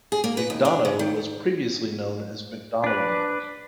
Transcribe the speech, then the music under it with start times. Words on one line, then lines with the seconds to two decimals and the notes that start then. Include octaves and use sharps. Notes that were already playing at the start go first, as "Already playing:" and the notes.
McDonogh was previously known as McDonoghville.
0.12 G#4
0.24 A#3
0.37 B4
0.50 D#2
0.65 D4
0.85 C#3
0.99 D#3
2.84 D4 B4